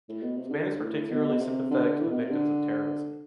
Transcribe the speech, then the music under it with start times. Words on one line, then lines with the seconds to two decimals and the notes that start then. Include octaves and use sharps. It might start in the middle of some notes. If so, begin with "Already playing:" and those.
Spain is particularly sympathetic to the victims of terrorism.
0.09 A2
0.22 B2
0.37 C3
0.50 D3
0.80 A2
1.10 B2
1.28 B2
1.40 C3
1.71 D3
2.00 E3
2.10 B2
2.21 C3
2.30 D3